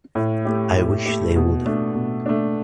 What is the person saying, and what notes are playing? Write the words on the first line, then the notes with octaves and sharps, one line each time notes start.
I wish they would.
A2
A3 G4
A2
A3 G4
B2
A3 D4
B2
A3 D4